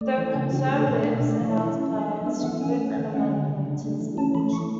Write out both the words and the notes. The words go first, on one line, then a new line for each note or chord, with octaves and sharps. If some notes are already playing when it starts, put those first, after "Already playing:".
The Conservatives announced plans to move an amendment to the speech.
A3 D5
E3
A4
C#3
D4 F#4
G#4
A3
A4
B2 B4
D4 D5
E5
A3
D5
E3 C#5
E4
C#4
F#3
D4
B3 E5
E5
E3 F#5
C#4 G#5
A3
D3
C#4 F#5
F#3
C#3
D4
A3
E3
C#4 A5
A3 B5
E3 C#6